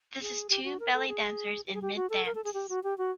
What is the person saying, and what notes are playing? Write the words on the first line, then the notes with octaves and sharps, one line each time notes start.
This is two belly dancers in mid dance.
G#4
G4
F#4
A#4
A4
G#4
G4
G#4
G4
F#4
A4
A#4
A4
G#4
G4
F#4
G4
F#4